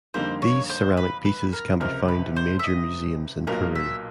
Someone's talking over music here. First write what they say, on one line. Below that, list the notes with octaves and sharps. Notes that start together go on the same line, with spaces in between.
These ceramic pieces can be found in major museums in Peru.
F2 D3 G3 A#3 D#4 C5
C#5
C5
B4
B4
A#4
C#2 C3 F3 A#4
B4
C5
E5
D#5
B1 A#2 F#3 A#3 A#4
E5